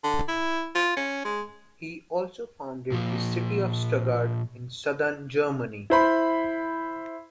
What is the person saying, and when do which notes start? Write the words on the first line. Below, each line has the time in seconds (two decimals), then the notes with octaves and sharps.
He also founded the city of Stuttgart in southern Germany.
0.04 D3
0.28 E4
0.75 F4
0.97 C#4
1.24 G#3
2.92 A#2 F3
5.90 E4 C5 B5